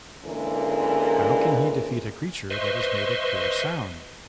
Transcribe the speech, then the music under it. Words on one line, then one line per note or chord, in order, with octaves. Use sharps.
How can he defeat a creature that is made of pure sound?
A#2 D3 E3 G#3 C#4 A#4
B4 C5 D#5 E5 C6 C#6